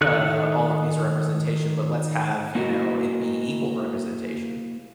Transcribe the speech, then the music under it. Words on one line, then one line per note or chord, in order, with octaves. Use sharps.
uh, all of these representation, but let's have, you know, it be equal representation.
D#3 A4 F#6
A#3 E4 F#4 A#4 D#5